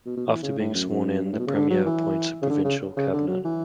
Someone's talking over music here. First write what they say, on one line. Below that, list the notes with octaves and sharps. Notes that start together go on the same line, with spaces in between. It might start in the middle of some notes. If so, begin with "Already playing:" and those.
After being sworn in, the Premier appoints a provincial cabinet.
B2
B2
E3
C#3
A2
F#2
F#2
G2
A2
B2
C#3
D3
F#3
E3
C#3
D3
C#3
C#3
D3
F#3
E3